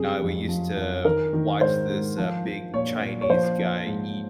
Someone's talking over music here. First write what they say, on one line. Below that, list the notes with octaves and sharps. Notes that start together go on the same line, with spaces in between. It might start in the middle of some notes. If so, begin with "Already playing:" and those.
now we used to watch this, uh, big Chinese guy eat
Already playing: F#2 C3 G#4
F2
F3
F2
D#3 A#4
D#3
G#2 C5
G#2
F3
F3
A#2 C#5
A#2
C#5
F3 C5
F3
G#2